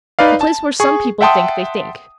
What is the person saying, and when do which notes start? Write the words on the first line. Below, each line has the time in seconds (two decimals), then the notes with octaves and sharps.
The place where some people think they think.
0.19 D#4 B4 D5 F5
0.41 A5
0.80 G#4 C#6
1.21 E5 F#5 G5 A5 C6 D#6